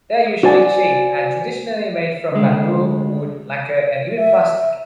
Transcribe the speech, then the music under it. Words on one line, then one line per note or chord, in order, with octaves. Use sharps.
They are usually cheap and traditionally made from bamboo, wood, lacquer and even plastic.
F#4 C5 D5 G#5
D2 G#3
E5